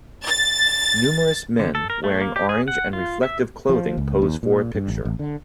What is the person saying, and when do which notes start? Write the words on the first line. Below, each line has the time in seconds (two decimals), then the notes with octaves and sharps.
Numerous men wearing orange and reflective clothing pose for a picture.
0.25 A6
1.60 D3
1.75 A4
1.90 A#4
2.04 A3
2.21 A#3
2.36 G4
2.49 G#4
2.68 F#5
2.93 F4
3.23 E5
3.69 F3
3.98 C#2
4.22 D#2
4.43 A#2
4.75 G2
4.88 A1
5.05 A1
5.19 D3